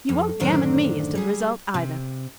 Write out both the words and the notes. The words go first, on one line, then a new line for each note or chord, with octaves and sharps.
You won't gammon me as to the result, either.
F2
F#2 A2 D3 D#3 D4 C5
G3 G#4
C3